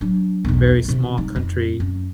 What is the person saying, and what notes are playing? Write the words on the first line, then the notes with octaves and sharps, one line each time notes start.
very small country
F#3 D4
B1 E2
C3 D#3
G3 D#4
F2
F#2